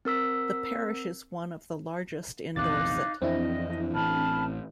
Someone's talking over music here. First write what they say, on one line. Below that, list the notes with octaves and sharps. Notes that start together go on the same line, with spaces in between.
The parish is one of the largest in Dorset.
C4 A#4 E6 B6
A#1 E2 C3 D#4 F5 D6 F#6 A6
F2 E3 C4 D4 E4 D#5
A1 E3 A5 B5 F6